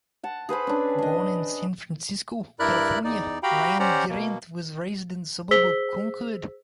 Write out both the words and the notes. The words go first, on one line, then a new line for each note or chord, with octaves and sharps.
Born in San Francisco, California, Ryanen-Grant was raised in the suburb of Concord.
F#5 A5
G#4 B4 C5 B5
C#4 D4
D4 D#5
G2 E4 A#4 D5 B5 F#6
E2 D#4 D5
F#4 G4 F5 G5 A#5 B5
C#4 G4 C5 D5 F#5 A#5
B2 A#3
G#4 C5 E6 B6 G7